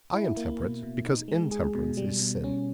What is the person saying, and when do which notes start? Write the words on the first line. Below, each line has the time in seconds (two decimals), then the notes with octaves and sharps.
I am temperate because intemperance is sin.
0.13 E4
0.37 A#3
0.60 B2
0.83 B2
1.06 D#4
1.28 G#3
1.51 G#4
1.75 B2
1.97 G3
2.20 B2
2.44 C#4